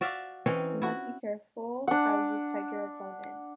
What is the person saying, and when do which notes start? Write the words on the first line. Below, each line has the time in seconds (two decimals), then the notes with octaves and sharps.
You must be careful how you peg your opponent.
0.01 F#4 D5 E5 F5
0.46 E3 C4 C#4 D#4
0.82 E4 F#4
1.88 D4 F#5